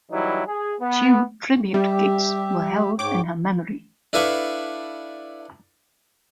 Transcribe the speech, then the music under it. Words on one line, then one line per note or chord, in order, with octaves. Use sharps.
Two tribute gigs were held in her memory.
E3 F#3 G3 D#4 E4
G#4
B3
G3 G4 E5
G#2 C#5 G5 D6
D4 E4 A4 B4 F5 C#6